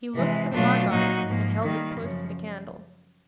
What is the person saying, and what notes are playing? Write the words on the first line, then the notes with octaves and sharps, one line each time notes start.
He looked for the mark on it, and held it close to the candle.
C3 E3 G#3
B2 F#3 A3 D4 F4
A#2 F#3 A#3 D#4 F#4
G#2 F3 A#3
D#3 G3 A#3
F#2 C#3 F3